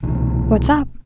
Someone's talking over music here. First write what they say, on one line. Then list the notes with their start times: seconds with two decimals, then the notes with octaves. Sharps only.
'What's up?
0.03 C2 B2 E3